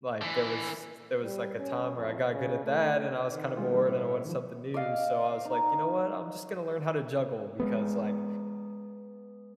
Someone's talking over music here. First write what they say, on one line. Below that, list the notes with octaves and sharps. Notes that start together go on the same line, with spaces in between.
like, there was there was, like, a time where I got good at that and I was kinda bored and I want something new, so I was like, “You know what? I'm just gonna learn how to juggle.” Because, like,
D3 E3
G3
C#4
F2
C#3
A3
D#3
G3 G#3 F4
E3 G3 A#3
A2
D#3 F3
D5 D#5 F5
D#4
G#3 A3 B3